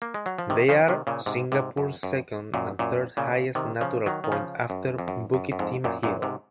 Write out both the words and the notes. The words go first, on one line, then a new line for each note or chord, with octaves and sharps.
They are Singapore's second and third highest natural point after Bukit Timah Hill.
A#3
G#3
F#3
F3
C3 D#3
C#3 F3
C3 D#3
A#2 C#3
G#2 C3
G#2 C3
F#2
F#2
F#2 A#2
F#2 A#2
A#2 C#3
C3 D#3
C#3 F3
D#3 F#3
D#3
C#3 F3
F#2
F2
F#2
F#2
F#2
F2 G#2
F#2 A#2
F#2 A#2
G#2 C3